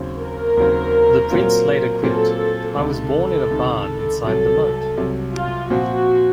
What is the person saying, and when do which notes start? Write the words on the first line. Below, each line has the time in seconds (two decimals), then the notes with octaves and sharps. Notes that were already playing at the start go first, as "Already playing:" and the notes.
The prince later quipped, "I was born in a barn inside the moat".
Already playing: D#2 C#3 F#3 C4
0.20 A#4
0.57 D#2 C#3 F#3 C4
1.30 A#2 F#3 C4 F4
2.03 A#2 F#3 C4 F4 A4
2.76 C#2 C3 D#3 A4
3.50 C#2 C3 D#3
4.24 C2 C3 F#3 A4
4.97 C2 C3 F#3
5.34 F4
5.70 A#2 F3 C4 F#4